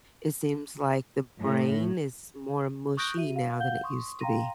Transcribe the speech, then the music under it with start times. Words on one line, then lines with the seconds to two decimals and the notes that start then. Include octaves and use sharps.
it seems like the brain is more mushy now than it used to be.
1.41 A2
2.97 C#6 D#6 F#6 G6 A#6 D7
3.16 F#4 E5 D#7
3.36 F5
3.59 F5 F#5 G6 G7
3.84 C6 C#6 D#6
4.20 F5 G5 A#5 C6 A#6 D#7